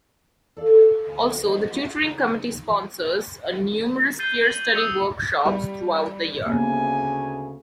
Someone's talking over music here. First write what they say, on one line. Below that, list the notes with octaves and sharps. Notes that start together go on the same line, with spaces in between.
Also, The Tutoring Committee sponsors numerous Peer Study Workshops throughout the year.
A4 D5 F5
D2 F5 G#5
G#4 C5 D5 D#5 F#5 G#5
C#3 D#4
F3
G6 A6 C7 D#7 G7
F#7 G7
D#6 E6 C#7 F7
G3
D2 C#3 A#3 B3 G#5